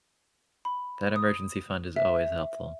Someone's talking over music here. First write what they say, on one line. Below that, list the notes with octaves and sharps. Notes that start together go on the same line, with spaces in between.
that emergency fund is always helpful.
B5
D#6
E5